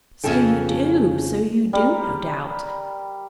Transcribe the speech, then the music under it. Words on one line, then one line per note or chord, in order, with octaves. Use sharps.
'So you do, so you do, no doubt.
F2 G#2 C#3 F3 A4 G5
G3 A#4